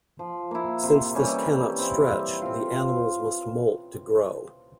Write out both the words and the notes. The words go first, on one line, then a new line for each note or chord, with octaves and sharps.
Since this cannot stretch, the animals must molt to grow.
F3
A#3 E4
C3
E3 G3 C#4
G3
C4 E4
G3
C4 F4